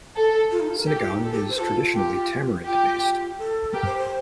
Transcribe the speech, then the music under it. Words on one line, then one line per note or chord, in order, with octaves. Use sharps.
Sinigang is traditionally tamarind-based.
A4
F4
D#4
F4
A#4
G4 A4
F4
D#4
F4 A4
G4
C5
F4 A4
G4
F4 G4
A4
G4 A#4
C5
C5